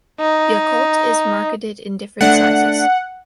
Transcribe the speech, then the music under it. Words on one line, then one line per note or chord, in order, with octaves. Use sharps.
Yakult is marketed in different sizes.
D#4
A3 D4 F#5